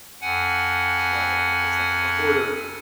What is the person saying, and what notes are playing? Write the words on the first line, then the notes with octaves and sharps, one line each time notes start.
clutter. It was, like, a hoarder
F2 F#5 G#5